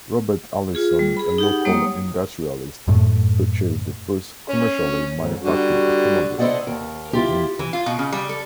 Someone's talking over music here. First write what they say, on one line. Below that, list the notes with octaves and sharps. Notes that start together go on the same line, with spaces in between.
Robert Allison a local industrialist, purchased the first commercially manufactured automobile, a Winton.
F4 G#4
G3
G#4 B5
D#4 G4 F#5
G3 A#3 C#5 D#6
F#2 A2 A3
C#4
F2 G#2
D3 G3 F#4
E4 A4 C5 D5 D#5 F#5
D#2 A#4
E4 F4 G4
E3
F4
B2
C#3
G3
A4